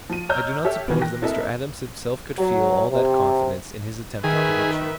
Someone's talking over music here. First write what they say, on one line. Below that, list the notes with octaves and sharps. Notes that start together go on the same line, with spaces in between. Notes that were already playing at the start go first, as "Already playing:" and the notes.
I do not suppose that Mr. Adams himself could feel all that confidence in his attempted prediction.
F3 D#7
C#5 D#5 A#5 E6 F6 G6
G4 A4 C#5 E5
D#3 E3 G3 B3
G5 F#6 A#6
C4 E4 A4 A#4 D#5 E5
F#3
C3
D#3 G#4 B4 E5